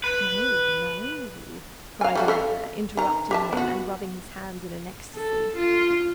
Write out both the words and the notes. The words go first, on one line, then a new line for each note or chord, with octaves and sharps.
'No, No,' cried Arthur, interrupting him, and rubbing his hands in an ecstasy.
B4
F5 G#5
G3 A3 F#4
A4 E5 F5
D#3 A#5
G4 E5 A5
B3 F#4
A4
F4